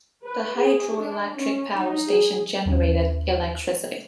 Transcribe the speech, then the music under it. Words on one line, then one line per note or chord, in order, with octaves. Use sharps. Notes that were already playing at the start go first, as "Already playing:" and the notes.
The hydroelectric power station generated electricity.
B4
G#4
D4
C#4
D#4
G#4
D#2 A3 C#4